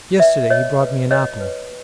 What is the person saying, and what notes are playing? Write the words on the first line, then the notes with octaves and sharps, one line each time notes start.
Yesterday he brought me an apple.
F#4 B4 D5 E5
F#4 C#5 D#5
B4
F#4 C#5 D#5
B4